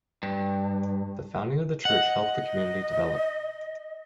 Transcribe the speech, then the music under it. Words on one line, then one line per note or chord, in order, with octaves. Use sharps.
The founding of the church helped the community develop.
G2
D#5 F#5